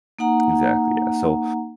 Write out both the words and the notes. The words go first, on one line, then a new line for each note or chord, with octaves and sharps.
Exactly, yeah, so
A#3 D#4 F#5 A#5